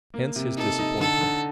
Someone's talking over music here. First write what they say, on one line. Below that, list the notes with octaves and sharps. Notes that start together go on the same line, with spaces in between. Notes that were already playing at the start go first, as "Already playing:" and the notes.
Hence his disappointment.
A#3
C3
D#4 A4
D#4
D3 A4
D3